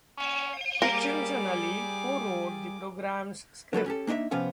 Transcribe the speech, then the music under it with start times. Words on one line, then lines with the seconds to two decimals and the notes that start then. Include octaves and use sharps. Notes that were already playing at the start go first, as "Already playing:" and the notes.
Hitchens and Ali co-wrote the programme's script.
0.18 C#4
0.82 G3 A#3 G#4 A#4 D6
3.73 D3 F#3 A4 B4
3.86 C#4 G4 A4
4.07 A#3 D4 D#4 D#5 E5
4.31 F2 C3 F3 B3 C#4 F5